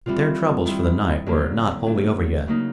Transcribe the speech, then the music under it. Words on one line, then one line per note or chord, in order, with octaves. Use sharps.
But their troubles for the night were not wholly over yet.
E3 G3 C4 F4
D#3 G3 C4 E4
D3 F#3 A#3
F#3 A3 D4
C#3 F#3 A#3 D#4